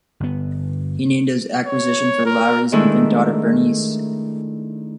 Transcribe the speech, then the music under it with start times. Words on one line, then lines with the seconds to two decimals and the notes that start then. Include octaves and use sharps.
He named his acquisition for Lowery's infant daughter, Bernice.
0.20 G1 B3
1.66 C#5
2.25 A#4
2.72 D#3 G#3 A3 D4 E4